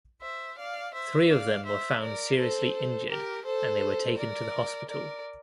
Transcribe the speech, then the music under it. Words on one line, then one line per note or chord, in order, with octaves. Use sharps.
Three of them were found seriously injured and they were taken to the hospital.
C5 E5
D5 F5
C5 E5
D5 F5
C5 E5
A#4 D5
A4 C5
G4 A#4
A4 C5
A#4 D5
A#4 D5